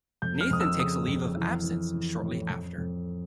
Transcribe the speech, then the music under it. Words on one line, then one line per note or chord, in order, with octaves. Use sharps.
Nathan takes a leave of absence shortly after.
F2 G6
F6
F2 D#6
E6
C#3 D#6
F2
E3
E3
E3
A2
F2
F2